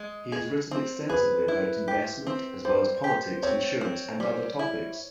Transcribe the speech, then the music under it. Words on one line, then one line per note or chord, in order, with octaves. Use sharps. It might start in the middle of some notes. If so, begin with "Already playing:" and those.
He has written extensively about investment, as well as politics, insurance, and other topics.
Already playing: G#3
G#4
C4
G#4 B4
E4
G4
C4
G3 C5
G4
C4 C#5
C4
G3
E4